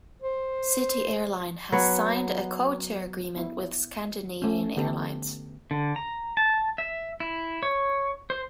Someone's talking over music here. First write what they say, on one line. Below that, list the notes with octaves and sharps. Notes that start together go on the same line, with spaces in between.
City Airline has signed a codeshare agreement with Scandinavian Airlines.
C5
F#3 B3 C#5
B3 E4
A3 C#4
D3 B3 G4 A4
D3
A#5
A5
E5
E4
C#5
C5